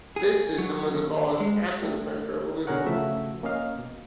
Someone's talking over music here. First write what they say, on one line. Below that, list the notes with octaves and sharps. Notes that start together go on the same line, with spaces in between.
This system was abolished after the French Revolution.
G#4
F#3
D#2
G#3
G3 A3
B2 D3 G#4 A#4 C#5 F#5
C#3 F3 A3 F#4 E5
A#3 C#4 D#5 F5
B2